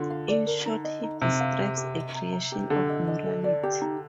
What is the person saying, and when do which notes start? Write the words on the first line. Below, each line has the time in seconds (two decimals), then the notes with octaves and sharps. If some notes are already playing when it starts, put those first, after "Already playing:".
In short, he describes a creation of morality.
Already playing: D3 F4
0.10 F5
0.28 D5
0.47 A#4
0.66 D#4
0.84 D#5
1.03 D#4
1.21 C3 F5
1.40 F5
1.59 G4
1.77 G4
1.96 D#5
2.15 A#5
2.33 A#5
2.52 G4
2.70 D3 D4
2.89 D#5
3.08 D#5
3.26 A4
3.44 D5
3.63 G4
3.81 D#4